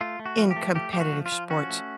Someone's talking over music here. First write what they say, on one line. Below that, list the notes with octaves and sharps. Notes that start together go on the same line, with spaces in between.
in competitive sports
A3 F4
A3
F#4
F3
G4
A3
A3 G4
F3 G4
F#4
F3
F4
F3
C#4 F#4
A3